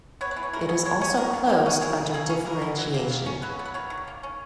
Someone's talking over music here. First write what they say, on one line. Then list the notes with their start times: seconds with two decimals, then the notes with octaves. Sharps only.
It is also closed under differentiation.
0.21 B3 C#5
0.31 B4
0.36 E3
0.43 C#5
0.53 E3 A#4
0.61 F#4
0.69 B3 G#4
0.85 G#3 C#5
1.01 C#4 C#5
1.17 D#3 A#4
1.33 D#3
1.46 D#4
1.49 A#3 E4
1.66 C#4
1.81 E3 G#4
1.97 E3
2.14 A#3 G#4
2.29 C#4
2.46 E3 A#4
2.62 E3
2.78 F#3
2.94 A#3
3.11 D#3
3.26 C#4
3.42 F#3 B4
3.59 B3
3.65 B4
3.74 D#3 C#5
3.90 D#3
4.08 A#3
4.23 C#4